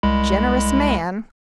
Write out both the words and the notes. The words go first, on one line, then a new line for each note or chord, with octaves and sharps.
"Generous man!"
C2 G#3 B5